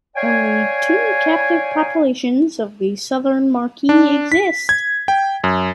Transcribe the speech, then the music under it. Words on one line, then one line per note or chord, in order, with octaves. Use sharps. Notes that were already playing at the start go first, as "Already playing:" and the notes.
Only two captive populations of the southern muriqui exist.
C#5 D5 F5 G5 G#5
D4
B6
G#6
G5
F#2